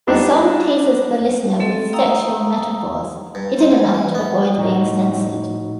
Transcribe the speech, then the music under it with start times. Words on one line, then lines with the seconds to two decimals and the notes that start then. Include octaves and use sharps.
The song teases the listener with sexual metaphors, hidden enough to avoid being censored.
0.07 G3 B3 D4 D#4
1.60 A3 C4 A4 D#5
1.93 D#5 F5 G5 A#5 D#6 E6
3.35 G2
3.59 C5
3.72 G#2
3.94 E3
4.15 B3
4.58 A2 F3 D#4 F#4